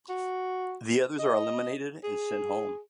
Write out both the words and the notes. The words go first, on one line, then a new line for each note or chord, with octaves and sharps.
The others are eliminated and sent home.
F#4
D#5
G#4